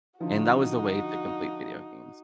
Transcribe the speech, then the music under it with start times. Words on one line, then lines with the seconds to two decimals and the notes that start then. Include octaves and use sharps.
and that was a way to complete video games,
0.20 D3 F3 D#4 F#4